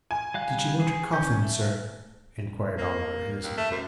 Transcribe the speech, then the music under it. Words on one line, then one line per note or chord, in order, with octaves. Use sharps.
'Did you want a coffin, sir?' inquired Oliver, innocently.
G#5
G3 F5 F#6
G#4
C#4 G6
A3
A#3
D#2
A3
F#2